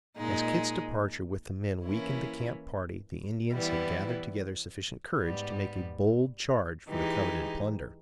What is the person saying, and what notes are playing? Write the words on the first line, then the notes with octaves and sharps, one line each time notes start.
As Kit's departure with the men weakened the camp party the Indians had gathered together sufficient courage to make a bold charge for the coveted plunder.
A#2 G#3 D#4
E3 A#3 C#4 E4
E3 G3 B3 E4
G#2 G3 B3
E3 G#3 D#4 G4